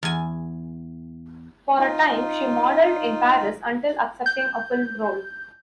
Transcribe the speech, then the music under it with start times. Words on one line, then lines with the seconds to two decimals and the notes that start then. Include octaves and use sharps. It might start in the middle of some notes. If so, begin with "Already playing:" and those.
For a time she modeled in Paris until accepting a film role.
0.03 E2 G#5
1.79 D#4 F4
4.26 G6